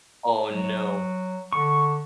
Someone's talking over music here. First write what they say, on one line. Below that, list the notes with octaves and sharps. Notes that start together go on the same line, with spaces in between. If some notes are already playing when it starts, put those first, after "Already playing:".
Oh, no.
F#3
D3 C#6